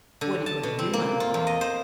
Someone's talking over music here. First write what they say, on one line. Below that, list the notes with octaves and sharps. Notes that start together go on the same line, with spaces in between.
"What are you going to do, my lord?"
D3
A5
B2
C4
A#3
F4
E2
D#5
C5